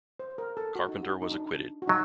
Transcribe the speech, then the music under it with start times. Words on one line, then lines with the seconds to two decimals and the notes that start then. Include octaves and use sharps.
Carpenter was acquitted.
0.19 C5
0.38 A#4
0.57 A4
0.75 F#4
0.89 D#4
1.03 F#4
1.22 D#4
1.32 D4
1.82 F#4
1.87 F#3 D#4